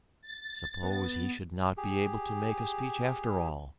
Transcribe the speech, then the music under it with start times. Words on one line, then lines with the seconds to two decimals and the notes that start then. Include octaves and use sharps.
Suppose he should not be able to make a speech after all!
0.22 A6
0.82 B3
1.77 G4 G#4